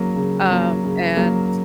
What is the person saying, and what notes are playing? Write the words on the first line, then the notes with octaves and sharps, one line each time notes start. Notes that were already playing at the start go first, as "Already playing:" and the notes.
Um, and,
Already playing: C#3 F#3 A#3
C#3
F#3 A#3
C#3
F#3 A#3